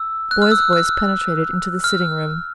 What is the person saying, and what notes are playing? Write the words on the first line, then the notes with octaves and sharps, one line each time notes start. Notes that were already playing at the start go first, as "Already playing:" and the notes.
A boy's voice penetrated into the sitting-room.
Already playing: E6
F#6
F6
E6
F6
F6